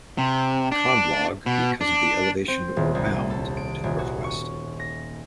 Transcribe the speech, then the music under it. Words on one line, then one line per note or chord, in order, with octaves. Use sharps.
Conlogue because of the elevation or "mound" to the northwest.
C3
D4
B2
D4
C4
D#1
C2
A4
D7
D#1
F#4
C#6
A#6